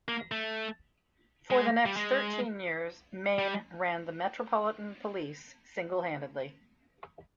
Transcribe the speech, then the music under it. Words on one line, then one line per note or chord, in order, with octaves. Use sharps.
For the next thirteen years, Mayne ran the Metropolitan Police single-handedly.
A#3
A3
G#3
G3
G#3
G3